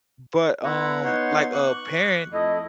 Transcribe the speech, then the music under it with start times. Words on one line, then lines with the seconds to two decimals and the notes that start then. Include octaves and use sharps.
But, um, like, a parent,
0.64 B3 E4 F#5 A#5
1.04 D#4 C#5 F#5 C6
1.53 C#6 D6 F#6
2.33 F2 A3 E4 D#5